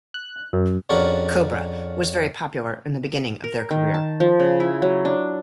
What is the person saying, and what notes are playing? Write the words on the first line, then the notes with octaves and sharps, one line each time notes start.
Cobra was very popular in the beginning of their career.
F#6
F#2
F2 C#3 D4 F#4 A#4 B5
A#4
D#3
A5
F3
C#3
E4
F#3
D4